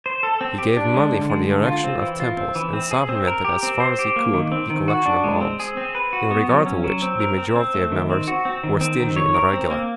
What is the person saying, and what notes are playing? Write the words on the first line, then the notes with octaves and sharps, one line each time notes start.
He gave money for the erection of temples and supplemented as far as he could the collection of alms, in regard to which the majority of members were stingy and irregular.
C5
A4
C4
G4
D4
G#3
D3
G#3
D3
F4
C4
E3
F4
C4
E3
C4
G#4
C4
A#4
G4
C4
C5
G4
A#3
D#3
C4
D#3
F#4
D4
G#3
C4
G#4
C4
B4
F#4
B3
F#3
C#4
F#3
C4
A#4
C4
C4
A3
D#3
C4
F#4
C4
D#3
C4
D#3
C#5
A#4
C4
A#3